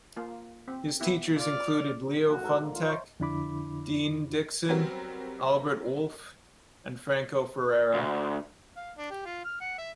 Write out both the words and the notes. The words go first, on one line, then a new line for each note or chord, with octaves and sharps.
His teachers included Leo Funtek, Dean Dixon, Albert Wolff and Franco Ferrara.
A#3 F4
C4
B3 E4 G4
F4 D5 F6
A#1 F#4
G#2 A4 A#4
G#2 D3 A#3
F4
C5 C#5 E5
F2 D3 D4 E4 B5 D6
F#3 G3 B3 C4 F#4 A#4
D2
F5
D4
G4
F4
F6
F#5
E5